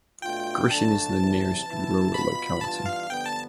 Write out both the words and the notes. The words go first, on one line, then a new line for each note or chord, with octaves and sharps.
Grishin is the nearest rural locality.
B2 A3 D4 F4 G5
D3 F3 A3 D4 A5
E2 C3 E3
E3 B3 E4
B2 B3 F4 B5
G2 E3 B3 D4 F4 A5
F5
G2 D3 F3 B3 G5
A5